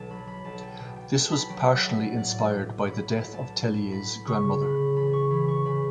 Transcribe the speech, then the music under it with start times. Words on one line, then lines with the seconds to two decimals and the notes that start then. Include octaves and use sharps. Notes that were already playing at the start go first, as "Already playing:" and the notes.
This was partially inspired by the death of Tellier's grandmother.
Already playing: B1 B2 A5
0.10 F#3 B5
0.28 B5
0.45 B1 A5
0.62 G5
0.79 B2 G5
0.96 G5
1.14 B1 A5
1.31 B5
1.49 F#3 G5
1.61 G5
1.67 F#5
1.84 B1 E5
2.01 D5
2.18 A2 D5
2.54 B1
2.87 F#3 B5
3.10 B5
3.22 B1
3.34 A5
3.57 A2
3.92 B1 B5
4.26 C#3 C#6
4.61 F#1 B5
4.96 E2 B5
5.13 C#6
5.30 E3 B5
5.48 C#6
5.66 C#3 B5